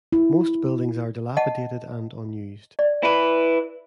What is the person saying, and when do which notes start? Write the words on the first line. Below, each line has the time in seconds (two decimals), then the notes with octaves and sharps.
Most buildings are dilapidated and unused.
0.13 E4
1.37 D#5 F#5 A5
2.79 D5
3.03 E4 B4